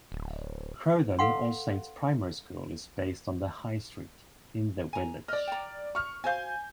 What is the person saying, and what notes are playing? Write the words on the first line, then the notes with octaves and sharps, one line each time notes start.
Croughton All Saints Primary School is based on the High Street in the Village.
D1
A4 B4 F5 F#5 C6
G#5 A#5
D5 D#5 F6
G5 A#5
C#6 F6
F#4 C5 F5 G#5 G6